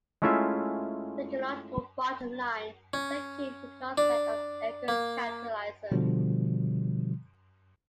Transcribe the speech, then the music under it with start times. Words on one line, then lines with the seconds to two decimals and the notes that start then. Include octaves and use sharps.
The ecological bottom line is akin to the concept of eco-capitalism.
0.22 G#3 A3 C#4 E4 F4 E5
2.93 C#4
3.98 D4
4.88 A#3
5.92 B2 D3 F3 G3